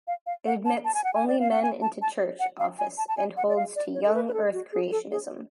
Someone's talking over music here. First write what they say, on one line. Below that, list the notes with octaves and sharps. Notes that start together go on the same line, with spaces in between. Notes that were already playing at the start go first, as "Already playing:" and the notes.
It admits only men into church office and holds to Young Earth creationism.
F5
F5
F#5
A5
A5
G#5
F#5
G#5
D5
F5
F#5
G#5
A5
A5
F#5
F5
G#5
A5
A5
G#5
F#5
D5
F5
D5
C#5
A4
B4
B4
A4
F#4
G#4
A4
G#4